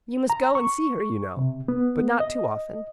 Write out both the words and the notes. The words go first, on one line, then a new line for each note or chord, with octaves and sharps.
You must go and see her, you know; but not too often.
A#5
C#6
C3
B3
D#5